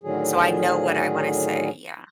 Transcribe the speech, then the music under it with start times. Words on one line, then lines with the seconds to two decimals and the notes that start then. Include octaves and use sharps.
so I know what I wanna say, yeah.
0.04 A2 D3 D#3 F#3 G#4